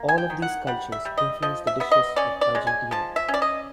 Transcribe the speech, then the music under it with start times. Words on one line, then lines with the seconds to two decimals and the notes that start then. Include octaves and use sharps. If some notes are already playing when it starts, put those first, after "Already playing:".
All of these cultures influenced the dishes of Argentina.
Already playing: A#3
0.09 G#5
0.18 G5
0.30 D#3
0.42 F#5
0.67 G3 F#5
0.92 E5
1.05 G3
1.17 D#5
1.42 F3 D#5
1.67 E5
1.80 B3 E5
1.91 D#5
2.16 C#4 D5
2.41 D5
2.55 G#3
2.67 G#5
2.91 F3 A5
3.16 E5
3.28 C#4
3.34 D5
3.42 D#5